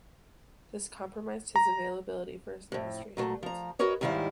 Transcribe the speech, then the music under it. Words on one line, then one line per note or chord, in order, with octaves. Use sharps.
This compromised his availability for his ministrations.
A#5
F2 A2
A#2 F#3 A3
F3 A#5
F#4 A#4 B4 C#5 D#5
D#2 G#2 D#3 G3 E4 F5